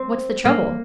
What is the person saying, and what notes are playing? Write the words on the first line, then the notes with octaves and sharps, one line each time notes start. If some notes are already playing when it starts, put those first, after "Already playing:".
'What's the trouble?
Already playing: C4
A#3